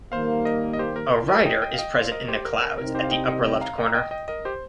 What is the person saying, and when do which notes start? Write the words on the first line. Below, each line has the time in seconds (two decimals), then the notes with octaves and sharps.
A rider is present in the clouds at the upper left corner.
0.12 D#2 D#3 G3 A#3 C5 F5
0.45 A#4 D#5
0.73 D#5
0.79 G4 C5
0.96 A#4
1.12 A#4
1.28 A#4 D#5
1.46 D#5 G5
1.62 D#5 G5
1.74 F5
1.79 D#5 G5
1.95 C5 F5
2.12 A#4 D#5
2.28 G4 C5
2.45 A#4
2.61 A#4
2.78 C2 C3 G3 C4 D#4 A#4
2.94 G4 C5
3.04 F5
3.11 D#5 G5
3.28 D#5 G5
3.45 D#5 G5
3.61 F5 A#5
3.78 D#5 G5
3.87 A#5
3.94 D#5 G5
4.11 D#5 G5
4.28 A#4 D#5
4.45 G4 C5